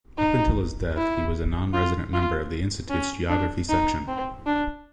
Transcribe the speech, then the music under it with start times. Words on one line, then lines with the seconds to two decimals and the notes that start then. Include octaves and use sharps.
Up until his death he was a non-resident member of the Institute’s geography section.
0.18 D#4
0.96 E4
1.73 F4
2.13 F4
2.90 C#4
3.29 D4
3.69 D#4
4.08 C4
4.46 D4